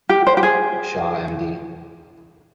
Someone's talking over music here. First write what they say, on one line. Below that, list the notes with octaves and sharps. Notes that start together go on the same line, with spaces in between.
Shah Md.
G4
C5
G4
G#4